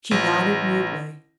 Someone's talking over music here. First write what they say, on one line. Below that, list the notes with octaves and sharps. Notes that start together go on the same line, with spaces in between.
She nodded mutely.
A1